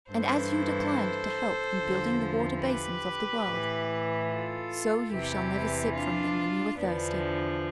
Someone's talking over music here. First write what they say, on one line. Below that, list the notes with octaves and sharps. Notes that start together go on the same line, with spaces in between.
And as you declined to help in building the water-basins of the world, so you shall never sip from them when you are thirsty.
G2 E3 A4 C5
E2 D3 F3
G4 B4
A2 E3
F4 A4
E2 C3 E3 E4 G4
D4 F4
E2 D3 F3 B3 D4